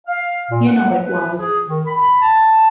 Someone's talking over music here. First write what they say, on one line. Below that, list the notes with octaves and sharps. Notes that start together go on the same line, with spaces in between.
You know it was.
F5
A#2
F#5
F#3
B4
G#4
D#3
B5
A5